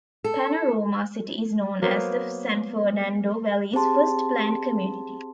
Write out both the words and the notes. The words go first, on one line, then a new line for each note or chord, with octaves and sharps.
Panorama City is known as the San Fernando Valley's first planned community.
A4
F#3 A#3 B3 C5
C4 G4 G#4 A5 C6